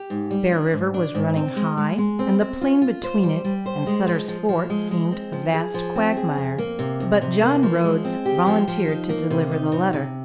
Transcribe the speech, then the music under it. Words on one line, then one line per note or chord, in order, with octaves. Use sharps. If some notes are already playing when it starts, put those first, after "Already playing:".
Bear River was running high, and the plain between it and Sutter's Fort seemed a vast quagmire, but John Rhodes volunteered to deliver the letter.
Already playing: G4
G#2
G3
D4
G#2
D4
G#2
C4
G#3
G#3
G#3
C4
C4
F4
F4
C5
G3
G3
C5
G#3
F3
F3
F3
G#3
G#3
C4
F3
G#4
F3
C4
G#4
F2
A#3
C3
F2
C3
A#3
F3
G#3
C4
G4
F3
F3
D#4
A#3
C3
D#4
C3
C3